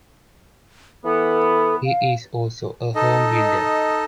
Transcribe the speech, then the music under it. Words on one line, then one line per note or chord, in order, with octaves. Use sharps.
He is also a homebuilder.
E3 B3 A4
F5
D#4 A4 D#5